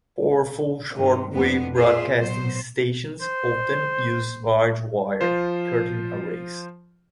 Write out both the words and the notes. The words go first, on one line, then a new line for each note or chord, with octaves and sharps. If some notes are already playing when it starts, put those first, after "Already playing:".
Powerful shortwave broadcasting stations often use large wire curtain arrays.
G2 D#3
F2 A2 B3 D4
F4 G#4 C5 E5
F#3 B3 C5
C5
F3 F4 C5